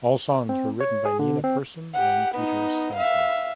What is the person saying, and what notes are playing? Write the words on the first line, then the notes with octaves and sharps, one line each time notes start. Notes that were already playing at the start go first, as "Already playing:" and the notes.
All songs were written by Nina Persson and Peter Svensson.
C4
C#5
G#4
D3
C4
G4 F#5
B3 D#4
E5 F5